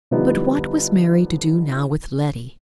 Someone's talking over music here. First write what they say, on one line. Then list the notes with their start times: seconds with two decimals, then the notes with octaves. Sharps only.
But what was Mary to do now with Letty?
0.11 D3 F3 G3 B3 D#4 E4